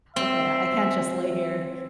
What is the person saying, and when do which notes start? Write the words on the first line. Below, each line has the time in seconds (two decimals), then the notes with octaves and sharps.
ok, I can't just lay here,"
0.16 C4 E5